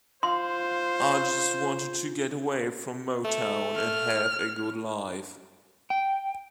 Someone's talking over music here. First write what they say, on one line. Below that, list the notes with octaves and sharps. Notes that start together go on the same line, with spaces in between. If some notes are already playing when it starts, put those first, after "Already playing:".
I just wanted to get away from Motown and have a good life.
F4 C5 F5 C6
A3
F6
G5